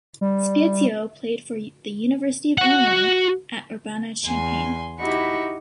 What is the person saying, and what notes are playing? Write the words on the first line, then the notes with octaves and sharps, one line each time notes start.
Spiezio played for the University of Illinois at Urbana-Champaign.
G3
F#4 F#5
E2 G#5 C6
D#4 E4 F#4 G4 B5 C#6